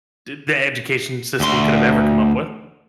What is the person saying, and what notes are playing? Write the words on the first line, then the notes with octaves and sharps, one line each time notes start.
s the education system could have ever come up with
D2 C6